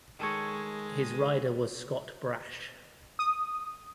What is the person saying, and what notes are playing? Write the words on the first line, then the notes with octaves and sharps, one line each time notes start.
His rider was Scott Brash.
D#3 G#3 A4 C#5
D#6